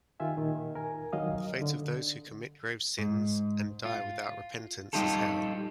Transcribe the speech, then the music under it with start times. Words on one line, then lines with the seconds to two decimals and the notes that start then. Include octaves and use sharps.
The fate of those who commit grave sins and die without repentance is Hell.
0.20 D#3 F4 G4 E5 G#5
0.37 A#2 D#3
0.75 A#4 G#5
1.13 D#3 F#3 D#5 F5 D#6
1.62 D3
2.98 G#2
3.85 F4
4.93 G3 D#4 F4 G4 A4